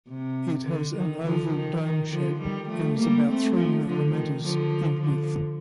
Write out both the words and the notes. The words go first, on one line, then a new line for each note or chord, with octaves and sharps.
It has an oval dome shape and is about three millimetres in width.
C3
D3
D#3
D3 F3
D#3
D#3
D3 F3
D#3 G3
F3 A3
G3 A#3
A3 C4
F3 A3
D3 F3
D#3
D3 F3
D3 F3